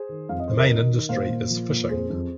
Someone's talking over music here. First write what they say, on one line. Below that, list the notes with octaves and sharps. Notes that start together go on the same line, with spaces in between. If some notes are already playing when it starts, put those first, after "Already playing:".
The main industry is fishing.
Already playing: G#4 C5
D#3
F2 F5
D#5
D#3 C5
A#4 D#5
D#3
D#3
A#2 C5 F5
A#2
F3
A#2
F2 G#4 C5
F2